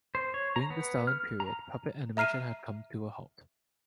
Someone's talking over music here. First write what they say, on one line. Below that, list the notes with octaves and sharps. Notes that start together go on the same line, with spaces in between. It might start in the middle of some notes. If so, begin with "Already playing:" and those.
During the Stalin period, puppet animation had come to a halt.
C5
C#5
A#5
B3
F6
A#5
E5 A#5 F6 C7 D#7